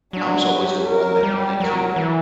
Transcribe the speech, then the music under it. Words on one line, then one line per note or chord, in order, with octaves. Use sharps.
I was always the one that wanted to
F#3 D4
G4
A#4
G3
F#3 A#4
E3